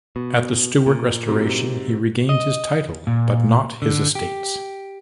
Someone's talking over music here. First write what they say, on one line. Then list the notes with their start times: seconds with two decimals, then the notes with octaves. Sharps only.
At the Stuart Restoration he regained his title but not his estates.
0.16 B2
0.86 A#2
1.28 G#2 C3 F#3
2.29 D#5
3.07 A#2
3.82 D3
4.15 G4